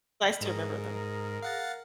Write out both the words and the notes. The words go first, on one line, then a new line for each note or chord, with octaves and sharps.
nice to remember them.
G#2 G#4 A#4
F5 F#5 A6